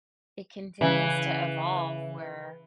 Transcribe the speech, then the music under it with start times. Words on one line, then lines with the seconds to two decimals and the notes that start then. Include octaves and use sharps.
it continues to evolve where
0.81 C#3 E3